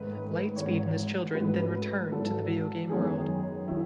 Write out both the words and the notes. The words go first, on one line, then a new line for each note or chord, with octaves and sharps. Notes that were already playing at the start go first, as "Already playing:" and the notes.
Lightspeed and his children then return to the video game world.
Already playing: G#2 D#3 A3 C#4 B4
G#1 G#2 E3 C#5
G#2 F#3 A3 C#4 B4
G#1 G#2 F#3 A4
F#2 D#3 G#3 B3 G#4
D#3 F#3 E4